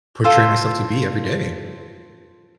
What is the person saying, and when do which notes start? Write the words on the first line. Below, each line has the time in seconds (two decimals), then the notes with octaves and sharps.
portray myself to be every day.
0.24 F4 A4 C5